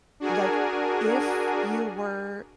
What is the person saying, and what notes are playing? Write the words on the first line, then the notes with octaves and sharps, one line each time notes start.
like, if you were
D4 F#4 G#4 A#4 G#5